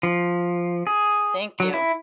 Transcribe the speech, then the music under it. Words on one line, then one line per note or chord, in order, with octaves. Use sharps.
Thank you.
F3
G#4
F#3
E4